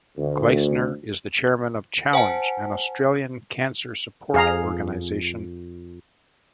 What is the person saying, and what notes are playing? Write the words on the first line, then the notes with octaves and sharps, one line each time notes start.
Gleisner is the chairman of Challenge, an Australian cancer support organisation.
D2
C5 F#5 G#5 A5
F2 G#4 F5 A#5